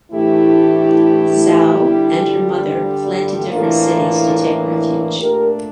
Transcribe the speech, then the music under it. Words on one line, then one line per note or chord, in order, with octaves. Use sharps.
Zhao and her mother fled to different cities to take refuge.
A2 E3 A3 D4 E4 G4
G2 D3 G3 D4
A2 E3 A#3 D4 F4 A4
A#2 A3 D4 G4 A#4